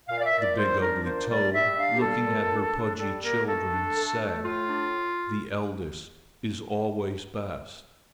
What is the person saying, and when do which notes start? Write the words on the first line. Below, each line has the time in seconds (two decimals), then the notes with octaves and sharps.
The big, ugly toad, looking at her pudgy children, said: "The eldest is always best."
0.08 A#2 F5
0.20 D5
0.25 E5
0.33 A#2
0.41 D5
0.57 G3 C5
0.81 D4 A#4
1.06 A#2 C5
1.30 G3 D5
1.54 G3 E5
1.77 D4 F5
1.94 G4
2.02 G3 A4
2.27 A#2
2.50 D4
2.75 D4
2.98 G3 A4
3.23 A#3 A#4
3.47 A3 A4
3.71 D4
3.96 A3
4.20 A3
4.44 A2 F4
4.69 D4